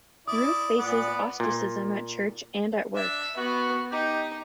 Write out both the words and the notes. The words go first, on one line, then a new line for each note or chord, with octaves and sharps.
Ruth faces ostracism at church and at work.
E4 D5 D#6
A#2 B3 D5
A#2
D4 E5
B3 F#4
D#4 G4